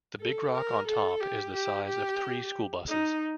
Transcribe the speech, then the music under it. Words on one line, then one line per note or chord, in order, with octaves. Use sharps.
The big rock on top is the size of three school buses.
A4
A#4
A4
G4
G4
G4
D#4